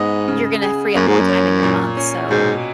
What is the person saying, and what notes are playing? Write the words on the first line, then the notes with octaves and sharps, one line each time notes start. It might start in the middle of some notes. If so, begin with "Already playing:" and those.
you're gonna free up more time in your month, so,
Already playing: G#2 B3 D#5
C#3
G#4
F#2 A#3
G#2
F#2
C#5
A#2
C#4
G#2 B2